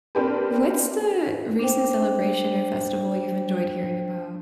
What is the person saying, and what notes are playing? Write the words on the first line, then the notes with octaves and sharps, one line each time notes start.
What's the recent celebration or festival you've enjoyed hearing about?
C4 D4 G4 A#4 B4
D4 C5 G5